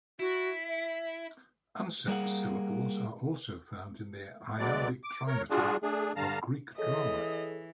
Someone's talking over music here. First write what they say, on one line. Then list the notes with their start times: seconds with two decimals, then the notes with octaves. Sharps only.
Anceps syllables are also found in the iambic trimeter of Greek drama.
0.19 E4 F#4
0.68 E5
2.08 G3 A#3 G#4 F#5
4.59 D2 F#3 G#3 B3 D5
5.03 D6
5.27 A#4 C#5
5.50 G3 D4 F4 F#4 G#4
5.83 A3 D4 G#4
6.16 G2 D3 G3 F5 A5 A#5
6.78 E3 G#4 A4 C#5 D#5